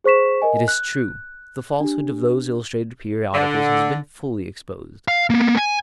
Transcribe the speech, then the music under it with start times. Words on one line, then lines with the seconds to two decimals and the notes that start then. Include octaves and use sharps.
It is true that the falsehood of those illustrated periodicals has been fully exposed.
0.04 G#4 C5 C#6 B6 E7
0.42 A#4 D#5 G#5
0.68 F#6
1.80 D4 G4
3.34 D3
5.08 F5
5.30 A#3 B3
5.57 G#5